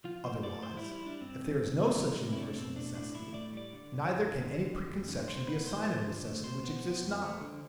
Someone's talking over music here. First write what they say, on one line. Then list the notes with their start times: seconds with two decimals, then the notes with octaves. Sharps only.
Otherwise, if there is no such universal necessity, neither can any preconception be a sign of a necessity which exists not.
0.04 F3 F4
0.24 A2 C5
0.43 A3 D5
0.62 A2 C5
0.77 E4
0.82 G3
0.91 E4
1.01 G3
1.06 D4
1.21 G2 C4
1.40 G2
1.60 G2
1.79 C3
1.98 G3
2.18 C3
2.33 E4
2.37 A3 D4
2.56 B2 C4
2.76 A3 D4
2.95 A2 D4
3.14 A3 E4
3.34 A2 D5
3.53 G3 D5
3.72 D3
3.92 G2
4.11 G2
4.31 D3
4.50 D3
4.69 F2
4.89 F2
5.08 D3
5.28 A2 C5
5.47 B3 B4
5.66 A2 C5
5.85 F3
6.05 D3
6.25 A3
6.43 B2 C5
6.63 B3
6.83 B3
7.02 F2
7.22 A3
7.41 D3